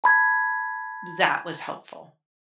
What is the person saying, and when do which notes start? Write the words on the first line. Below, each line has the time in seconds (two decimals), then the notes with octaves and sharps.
that was helpful.
0.04 A5 B5 G#6